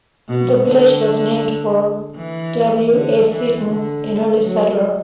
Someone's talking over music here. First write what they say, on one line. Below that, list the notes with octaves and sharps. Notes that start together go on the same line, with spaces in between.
The village was named for W. A. Seaton, an early settler.
B2
D3
E3
D3
E3
D3
F#3